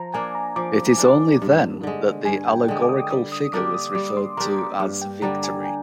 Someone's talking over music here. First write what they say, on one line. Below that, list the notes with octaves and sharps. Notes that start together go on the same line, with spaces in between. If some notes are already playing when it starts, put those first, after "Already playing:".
It is only then that the allegorical figure was referred to as Victory.
Already playing: F3 A#5
A#3 D4 G#5
A#5
F3 D6
A#3 D4
G2
D3 G#3
G2 G#5
G5
D3 G#3
D6
D#6
G3 D#6
D#6
A#3 D4 G4 D6
D#6
G3 D6
C6
A#3 D4 G4 A#5
D6
G2 D6
G5
D3 G3 D4 A#5
G#5
G5